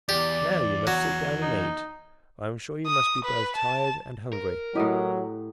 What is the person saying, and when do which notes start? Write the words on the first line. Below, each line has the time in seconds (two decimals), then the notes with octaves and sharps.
"Now, you must sit down and eat; I am sure you must be both tired and hungry."
0.09 E2 G4 D5
0.87 F#3
1.42 D#4
2.87 D#6
3.25 B4
3.56 A5
4.33 A#4
4.75 A2 F#3 E4 G4 D#5 D#6